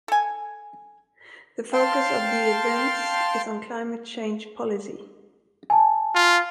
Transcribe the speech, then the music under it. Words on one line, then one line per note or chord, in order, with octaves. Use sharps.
The focus of the events is on climate change policy.
A4 G#5
F5 G5 A5 C6 F6
G#5 A5
F4